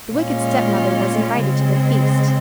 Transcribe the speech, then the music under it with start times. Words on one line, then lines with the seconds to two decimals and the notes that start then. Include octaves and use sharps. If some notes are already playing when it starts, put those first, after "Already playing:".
The wicked stepmother was invited to the feast.
0.12 A#2 G#3 C#4 F4
1.38 C#3 G#3 C4